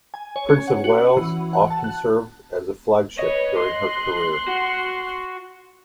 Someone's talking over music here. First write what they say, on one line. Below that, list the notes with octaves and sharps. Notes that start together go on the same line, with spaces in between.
"Prince of Wales" often served as a flagship during her career.
G#5
C#5
C#4
F#5
F#4
E3
F#5
A5
F#6
B4 C#5 D#5
C6 F#6
F#4